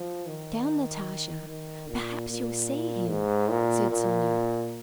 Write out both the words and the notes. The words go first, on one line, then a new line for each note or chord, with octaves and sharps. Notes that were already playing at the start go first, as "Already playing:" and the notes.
"Sit down, Natasha; perhaps you'll see him," said Sonya.
Already playing: F3
D#3
D#3
A#2
A#2
G#2
A#2
A#2